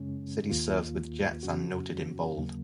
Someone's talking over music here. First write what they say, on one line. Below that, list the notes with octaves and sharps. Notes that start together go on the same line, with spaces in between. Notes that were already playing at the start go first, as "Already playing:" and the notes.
Cities served with jets are noted in bold.
Already playing: F#2 C#3 G#3 C#4
D#2 D#3 A#3 F4
F2 C#3 F#3 C#4 F#4
D#2 C#3 F#3 A#3